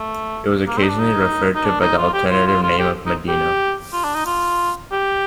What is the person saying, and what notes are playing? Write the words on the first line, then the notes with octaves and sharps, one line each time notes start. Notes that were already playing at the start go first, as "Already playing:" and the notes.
It was occasionally referred to by the alternative name of Medina.
Already playing: A3
A#3
C4
D#4
D4
D#4
D#4
D4
D#4
F4
G4
F4
F4
F4
G4
D#4
G4
F4
D4
D#4
F4
G4